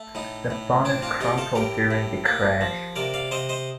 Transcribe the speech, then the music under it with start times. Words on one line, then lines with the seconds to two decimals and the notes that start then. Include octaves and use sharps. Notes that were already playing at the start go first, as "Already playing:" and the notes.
The bonnet crumpled during the crash.
Already playing: A3
0.15 A2 D#4
0.50 A2
0.85 C4 D4
1.02 D4 F4
1.21 A3 D#4 G4
1.38 F4 A4
1.55 A2 G4 A#4
1.91 A2
2.26 A#3
2.61 F3
2.96 C3 A#4 D5
3.14 D5 F5
3.31 C3 C5 D#5
3.49 C5 D#5